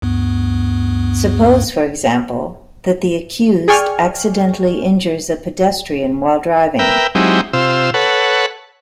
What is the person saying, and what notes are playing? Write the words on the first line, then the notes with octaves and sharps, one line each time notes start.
Suppose for example that the accused accidentally injures a pedestrian while driving.
D2 G2 B3
G#4 D5 G5 G#5 C#6 F6
A#4 B4 E5 G5
F#3 G#3 C4 D#4 E4 G4
C3 F4 C5 E6
A4 B4 C#5 F#5